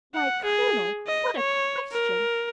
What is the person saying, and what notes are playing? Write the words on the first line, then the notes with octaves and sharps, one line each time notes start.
Why, colonel, what a question!
F#5
G#4
D#5
C#5
A#4